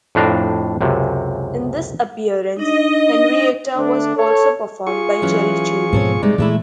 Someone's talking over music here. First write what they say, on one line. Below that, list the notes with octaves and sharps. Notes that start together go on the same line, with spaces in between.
In this appearance, Henrietta was also performed by Jerry Juhl.
F2 A2 D4 F5 A#5
C#2 F#2 C3
D4 D#4 D#5
D3 A3 D4
A4 C#5
F4 G#4 C#6
E3 F#3 C#4
G#2 B2 F3 C4 A4 C#5
C3 G3 G#3 D#4 D5
A#2 E3 G#3 A3 E4